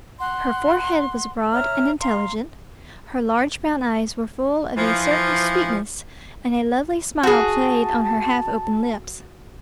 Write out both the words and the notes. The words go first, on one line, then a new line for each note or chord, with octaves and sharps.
Her forehead was broad and intelligent, her large brown eyes were full of a certain sweetness, and a lovely smile played on her half-opened lips.
F#5 C6
C#5 E5 A#5 F6
F5 A#5 C6
E3 F3
F#4 G#4 A5